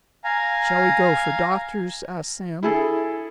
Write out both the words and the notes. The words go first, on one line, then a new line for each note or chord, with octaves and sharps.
"Shall we go for doctors?" asked Sam.
F5 G#5 A#5
E4 G#4 A4